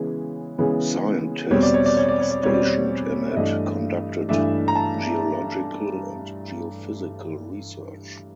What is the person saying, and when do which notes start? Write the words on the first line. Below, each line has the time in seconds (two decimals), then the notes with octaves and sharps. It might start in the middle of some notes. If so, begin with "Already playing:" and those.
Scientists stationed in it conducted geological and geophysical research.
Already playing: C#3 E3 G#3 B3
0.59 C#3 E3 G#3 B3
1.51 E2 B2 G3 C4 C#5
1.63 D5
1.74 C#5
1.86 D5
1.97 C#5
2.08 D5
2.20 C#5
2.31 D5
2.43 E2 B2 G3 C4 C#5
2.54 D5
2.65 C#5
3.31 E5
3.36 G2 E3 A3 D4 D#5
4.29 G2 E3 A3 D4 E5
4.68 A#5
4.75 A5